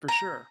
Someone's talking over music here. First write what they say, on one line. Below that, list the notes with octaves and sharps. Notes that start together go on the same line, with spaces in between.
For sure.
A#5